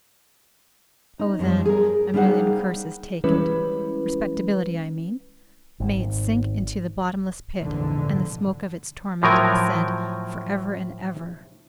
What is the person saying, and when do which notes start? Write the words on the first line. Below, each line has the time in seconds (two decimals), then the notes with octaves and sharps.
Oh, then, a million curses take it--respectability, I mean; may it sink into the bottomless pit, and the smoke of its torment ascend for ever and ever!
1.19 D#4
1.39 F#2 F3 G3
1.65 G#4 A#4
2.14 G3 A#3 D#4 G#4 C5 F#5
3.24 E3 G3 G#3 C#4 E4 B4
5.80 G#1
7.59 A#1 F2 G#2 B2 D3 E3
9.23 A2 F3 F#3 A#4 G#5